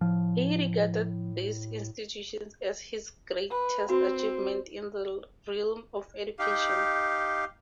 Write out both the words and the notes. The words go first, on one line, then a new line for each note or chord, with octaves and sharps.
He regarded these institutions as his greatest achievement in the realm of education.
A2 F3
B4
C4 F#4 B5
D#4 G4 F5